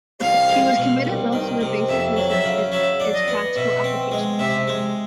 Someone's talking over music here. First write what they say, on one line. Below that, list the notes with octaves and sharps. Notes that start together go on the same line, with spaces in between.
He was committed both to basic research and its practical applications.
C2 F5
G#3
B2
C2
D#3
C3
F2 E5
F#3
E5
C#3
F#3 E5
D4
D#5
B3
B2 E5
C4
G#3
C3 E5
G#3